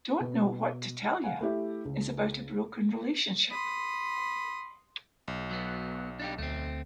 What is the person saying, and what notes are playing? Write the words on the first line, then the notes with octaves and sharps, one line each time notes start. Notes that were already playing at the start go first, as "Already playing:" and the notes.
"Don't Know What to Tell Ya" is about a broken relationship.
B2
F5 F#5 G#5
A3 E4 G4 E5
C#2
B5 C6 D#6
B1
F#3 B3
D4 D#4 G4
D2 A3 C4